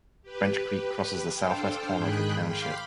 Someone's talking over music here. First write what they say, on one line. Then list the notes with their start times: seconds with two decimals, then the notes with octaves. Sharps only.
French Creek crosses the southwest corner of the township.
0.22 G4 B4
1.35 D4 A4 C5 F5 G5
1.95 G#2 D#3 G#4 G5 B5 F#6
2.47 F5 G5 B5 C6 D6